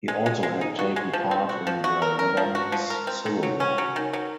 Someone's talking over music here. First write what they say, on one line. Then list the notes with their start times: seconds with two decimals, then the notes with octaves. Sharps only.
He also had taken part in the Lebanese Civil War.
0.08 G#3
0.26 G#3
0.43 G#3
0.61 D#4
0.79 F#4
0.96 G#3
1.13 F3
1.31 C4
1.49 F#4
1.67 F3
1.84 F#4
2.02 A#4
2.19 A#4
2.37 F3
2.55 F#4
2.72 F3
2.90 A#4
3.07 C4
3.26 D#3
3.43 F#3
3.60 C#4
3.78 F#3
3.96 D#3
4.13 F#3